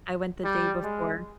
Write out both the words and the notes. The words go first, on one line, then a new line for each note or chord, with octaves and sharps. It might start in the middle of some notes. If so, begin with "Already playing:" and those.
I went the day before.
G3
G#3